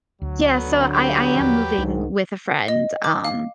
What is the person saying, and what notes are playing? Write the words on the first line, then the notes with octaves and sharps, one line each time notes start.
Yeah, so I I am moving with a friend, um,
D2 F#3
D3 B3
G4 B4
D#2 F3
C2 G#2 D#3 D4
D#5
D6
F5